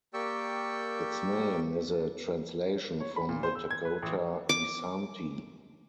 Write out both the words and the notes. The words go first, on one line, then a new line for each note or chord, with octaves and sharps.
Its name is a translation from the Dakota "Isaanti".
A#3 G4 D5 G5 C#6 E6
C#5
B5
A#2
C5
E6
G#6
B4
A1
D6